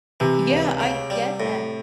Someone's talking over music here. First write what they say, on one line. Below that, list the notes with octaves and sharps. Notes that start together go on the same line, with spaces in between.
Yeah, I get that.
C3 E3
C#2
C#3
G3
A2